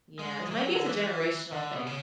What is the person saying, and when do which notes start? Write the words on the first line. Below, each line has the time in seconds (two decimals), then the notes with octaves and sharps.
yes, maybe it's a generational thing
0.19 G#3
0.46 E3
0.51 F#3
0.75 D3
0.86 E3
1.52 D3
1.74 B2
1.87 C#3